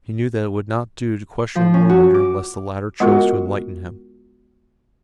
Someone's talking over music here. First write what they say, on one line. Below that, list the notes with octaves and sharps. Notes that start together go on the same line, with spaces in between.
He knew that it would not do to question a war-leader unless the latter chose to enlighten him.
F3
C#4
F#4
D6
G#3 B3 F4 F#4 A#4